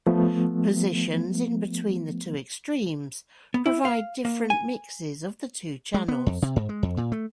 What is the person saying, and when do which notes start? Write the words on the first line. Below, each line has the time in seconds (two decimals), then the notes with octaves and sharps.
Positions in between the two extremes provide different mixes of the two channels.
0.07 F3 A3 B3
3.54 B3
3.66 E4
3.85 F5
4.25 A#3
4.50 G#5
5.94 G#3
6.08 B3
6.27 F2
6.42 C3
6.56 G#2
6.69 G#3
6.83 F2
6.97 A#2
7.12 A3